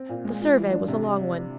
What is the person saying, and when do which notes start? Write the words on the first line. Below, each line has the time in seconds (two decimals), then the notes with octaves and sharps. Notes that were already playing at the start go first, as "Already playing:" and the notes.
The survey was a long one.
Already playing: C4
0.09 A#2
0.25 G#3
0.41 F4
0.56 E3
0.73 D4
0.88 C3